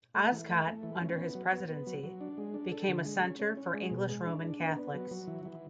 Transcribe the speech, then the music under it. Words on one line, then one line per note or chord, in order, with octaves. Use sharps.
Oscott, under his presidency, became a centre for English Roman Catholics.
A3
E3
A3
A3
E3
C#4
B3
F#3
B3
B3
F#3
F#3
D4
G#3
D4
A4
D3
G#3
C#4
C#4
C#4
G#3
B2
G#3
D4
D4
B3
B3
F#3
F#3
E3
E3